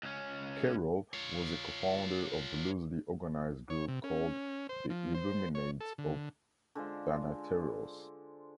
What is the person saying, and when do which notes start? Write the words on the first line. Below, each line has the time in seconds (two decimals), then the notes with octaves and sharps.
Carroll was a co-founder of the loosely organized group called the Illuminates of Thanateros.
0.03 C#2 C#4
1.14 F4 C#5
3.70 C#5
3.88 C3
4.04 C#4
4.69 C5
4.90 F3
5.15 C5
5.55 C#5
5.80 A4
5.98 D3
6.75 D3 G#3 F4 C5